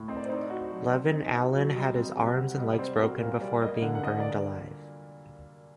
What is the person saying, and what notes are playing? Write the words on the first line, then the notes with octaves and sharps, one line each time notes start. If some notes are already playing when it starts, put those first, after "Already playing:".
Levin Allen had his arms and legs broken before being burned alive.
Already playing: A2
C4 D#5
D5
C5
D#4 D5
F#4
F#3
C4
D#4
F#4
F#3
G3 D#5
C4
D#5
C3
F#5
C3
F#5
G3 D#5
D5
C4 C5
F#4 A#4
A#2 A#4
G3 D5
A#3 D#5
D3 F#5
F#5
D3 D#5
D5